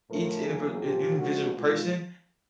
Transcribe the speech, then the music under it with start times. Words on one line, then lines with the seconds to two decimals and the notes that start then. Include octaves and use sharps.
each indivd in individual person,
0.09 A2 F3 A3 A#4
0.45 E2 C#3 F#3 A#3 G#4
0.82 A#2 F3 A#3 G4
1.17 D2 D3 F3 G#3 F#4
1.54 B2 G#3 F4